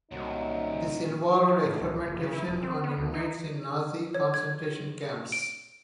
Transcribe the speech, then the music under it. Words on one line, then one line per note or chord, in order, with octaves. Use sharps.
This involved experimentation on inmates in Nazi concentration camps.
C2 A#2 D#3 F#3 D#4
E3
A2
C2
F#1
C#3
E4
E1
C4
B3
D2
D#4
C#5
G#6
D7